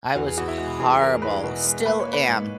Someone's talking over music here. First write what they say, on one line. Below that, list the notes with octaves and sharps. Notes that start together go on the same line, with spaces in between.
I was horrible still am.
E2 F#4
G#4
E2 F#4
E4
G#3 F#4
E2 G#4
E2 A#4
G#3 B4
B2
G#3
A#3 B4
C#5
A#3
B4
G#2